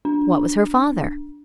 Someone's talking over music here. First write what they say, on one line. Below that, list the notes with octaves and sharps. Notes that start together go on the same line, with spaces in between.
"What was her father?"
D4